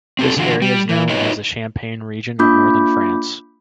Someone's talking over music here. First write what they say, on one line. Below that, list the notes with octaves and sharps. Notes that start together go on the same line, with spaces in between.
This area is known as the Champagne region of Northern France.
C4 G4 A4
D3 E3 F4 F#4
G3
E3
D#4 F4 F#4 B4 C#5 D#5
A#3 D4 F4 B5 D6 G6